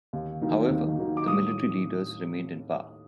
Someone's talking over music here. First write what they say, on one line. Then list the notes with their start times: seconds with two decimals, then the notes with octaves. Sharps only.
However, the military leaders remained in power.
0.13 D#2
0.42 D#3 F#3 A#3 D#4
0.70 D#2
0.99 D#3 F#3 A#3 D#4
1.17 D6
1.27 A2 D#6